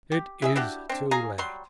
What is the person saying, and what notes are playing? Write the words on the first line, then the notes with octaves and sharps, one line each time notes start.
It is too late.
G4
E4 G#4 E5
D4 E4 F#4 G4
C4 D4
F4 G#4 G#5 A#5
F#3 G3 C6